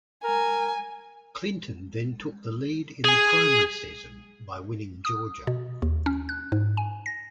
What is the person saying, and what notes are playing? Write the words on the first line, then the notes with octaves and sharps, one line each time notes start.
Clinton then took the lead in the primary season by winning Georgia.
A#4 G#5
G#4 G#5
D#6
B2
D#2
C#4
F#6
G#2
G#5
A#6